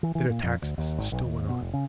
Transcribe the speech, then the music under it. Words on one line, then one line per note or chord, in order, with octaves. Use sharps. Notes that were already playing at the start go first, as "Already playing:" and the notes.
The bitter taxes still went on.
E3
E3
A#2
F2
D2
D#2
G#1
B1
D#2
B2
F1
C#3